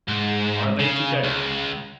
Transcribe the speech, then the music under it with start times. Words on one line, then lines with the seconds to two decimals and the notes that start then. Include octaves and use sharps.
Are they to-day?
0.08 G#2
0.79 C#3
1.24 C#2